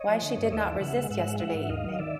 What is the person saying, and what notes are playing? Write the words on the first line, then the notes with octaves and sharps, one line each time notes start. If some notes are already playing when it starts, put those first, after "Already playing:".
Why she did not resist yesterday evening?
Already playing: C#5 D#5
F3
D3
G2
D#2 D5 E5
E3
C#3 E5 F#5
G#3
G#2 E5 F#5
G#3
E3 E5 F#5
G#2
D#2 D#5 F5
F#3
D#3 D5 E5